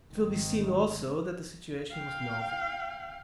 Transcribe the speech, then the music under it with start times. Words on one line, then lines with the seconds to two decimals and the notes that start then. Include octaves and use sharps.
It will be seen also that the situation was novel.
0.12 G#1 D#3
1.91 F5 G5